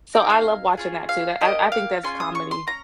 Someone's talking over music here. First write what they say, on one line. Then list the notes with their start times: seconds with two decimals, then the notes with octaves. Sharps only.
So, I love watching that too that I I think that's comedy.
0.14 C4 D#4 G#4 G5
0.30 F5
0.77 C#4 F4 G#4
1.09 F5
1.41 A#3 D#4 G4 D#5
1.72 F5
2.03 C#4 F4 G#4 C6
2.20 D#6
2.35 C#6
2.51 C6
2.67 C#4 F4 A#5